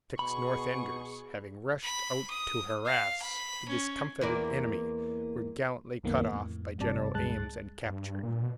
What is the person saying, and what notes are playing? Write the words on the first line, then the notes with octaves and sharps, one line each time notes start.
Six North-Enders, having rushed out to harass the discomfited enemy, were gallantly cut off by General Ames and captured.
B2 G#4 B5 C#6
B5
D#6
F5
B5
C#4
E2 A#3 D5
C2 F#2 D#3 A#3 B3
F2 A2
G1 G2 C3 D5 A5
C#2 G2 G#3 A5 F#6 A6
G2
A#2
B2